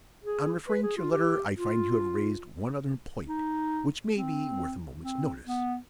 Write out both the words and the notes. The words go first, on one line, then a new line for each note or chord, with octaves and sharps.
On referring to your letter, I find you have raised one other point, which may be worth a moment's notice.
G#4
B4
G#4
F4
G4
F4
D#4
C4
C4
B3